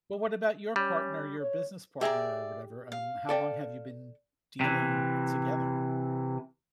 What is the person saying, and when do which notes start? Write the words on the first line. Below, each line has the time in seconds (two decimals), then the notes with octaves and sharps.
Well, what about your partner, your business partner, or whatever, um, how long have you been dealing together?
0.76 G3 C#4
1.40 C#5
2.01 G4 G#4 D5 E5 A#5
2.92 F5
3.29 A4 D5 G5
4.61 C3 E3